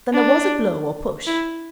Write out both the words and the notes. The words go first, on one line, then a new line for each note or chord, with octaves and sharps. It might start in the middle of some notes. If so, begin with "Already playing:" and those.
'Then there was a blow or push?'
D4
E4